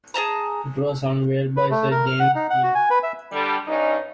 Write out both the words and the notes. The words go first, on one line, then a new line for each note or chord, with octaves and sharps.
It was unveiled by Sir James Jeans.
G#4 D#5 A5 A#5
B4
A3
A#4
F6
F#5
D#4
F#5
F#4
G#5
B4
E5
D3 G3
G2 C#4 D#4